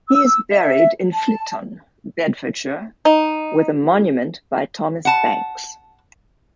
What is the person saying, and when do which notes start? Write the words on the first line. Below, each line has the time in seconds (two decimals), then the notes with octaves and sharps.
He is buried in Flitton, Bedfordshire with a monument by Thomas Banks.
0.09 E6
0.51 E5
1.14 A5
3.05 D#4
5.05 F#5 A5